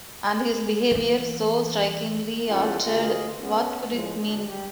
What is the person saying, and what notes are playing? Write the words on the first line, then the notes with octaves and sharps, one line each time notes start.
And his behaviour, so strikingly altered — what could it mean?
E3 A#3
E2 C#4 F4 A4 F#5 G5
D2 F4 G#4 D#5
B3 C#4
A2 F3 G#3
D2 D4
G3 G4